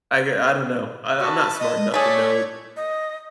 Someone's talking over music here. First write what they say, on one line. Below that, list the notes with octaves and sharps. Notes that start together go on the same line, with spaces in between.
I I don't know, I I'm not smart enough to know
F#4 B4 A5
D#5
A3 G#4 C#5 D5 B6
D#5